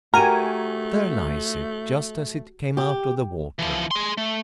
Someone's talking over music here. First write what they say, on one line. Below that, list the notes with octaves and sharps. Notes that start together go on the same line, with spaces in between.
There lies it, just as it came out of the water.
A3 F#4 G4 A#4 G#5 A#5
G4
E3 F3
G#4 C6
A3